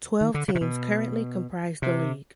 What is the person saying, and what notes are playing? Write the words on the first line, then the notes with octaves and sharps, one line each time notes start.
Twelve teams currently comprise the league.
D#3
D3
C#3
C3
B2
C3